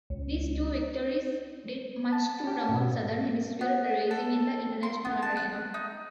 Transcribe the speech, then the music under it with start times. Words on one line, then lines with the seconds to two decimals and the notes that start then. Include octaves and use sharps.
These two victories did much to promote Southern Hemisphere racing in the international arena.
0.10 C#2
2.12 A5
2.44 C#4 G4
2.69 G#2 B2
3.61 B3
4.11 A4
4.83 C6
5.05 B3
5.23 A5
5.37 F#6
5.74 D#4